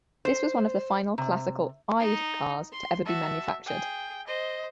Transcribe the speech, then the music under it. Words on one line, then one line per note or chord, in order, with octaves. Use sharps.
This was one of the final classical "eyed" cars to ever be manufactured.
C5
C3
D#4
C6
F#4 E5 A5
G#4 G5
C5 D#5